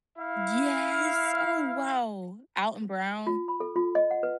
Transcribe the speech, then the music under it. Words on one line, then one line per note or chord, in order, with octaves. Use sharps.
Yes! Oh wow, Alton Brown.
E4 F5
F4
B5
A4
F4
D#5
F#5
B4